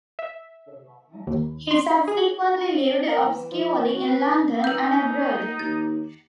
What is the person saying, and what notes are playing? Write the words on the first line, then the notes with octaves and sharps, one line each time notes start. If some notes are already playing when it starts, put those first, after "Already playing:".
He subsequently lived obscurely in London and abroad.
E5
D#2
C6
G#4
A#4
E3
F3
E3
F#4
B4
D#4 B4 G6
D#2 A6